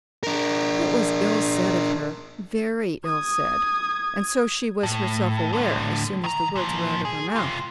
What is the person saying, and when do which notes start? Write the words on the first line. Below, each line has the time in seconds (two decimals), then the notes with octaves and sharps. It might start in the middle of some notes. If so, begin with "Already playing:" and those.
It was ill said of her,--very ill said, and so she was herself aware as soon as the words were out of her mouth.
0.23 D4 A#4
3.06 D#6 G#6
4.83 A2
5.53 A2 D3
6.24 D#3 A#5
6.56 A#2 F3
7.05 G#4
7.36 C3 F4